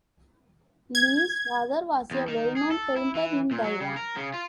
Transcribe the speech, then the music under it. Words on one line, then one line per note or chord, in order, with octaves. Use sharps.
Lee's father was a well-known painter in Taiwan.
G#6
E2
D#3
G#4
A4
E4
E3
A#2
F#3
C#3
A#4
C#3
F4